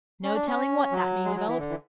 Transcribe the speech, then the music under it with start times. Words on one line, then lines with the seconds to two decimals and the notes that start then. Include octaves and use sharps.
No telling what that may develop.
0.24 C#4
0.35 D4
0.47 C#4
0.91 F#3
1.25 G#3
1.36 F#3
1.47 E3
1.58 D3
1.70 E3